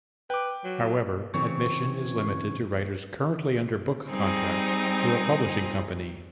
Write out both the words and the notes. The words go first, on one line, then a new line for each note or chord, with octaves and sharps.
However, admission is limited to writers currently under book contract to a publishing company.
B4 G5 D6
F#3
C#3 E3 C4 C#5
G3 C4 D#4 G#4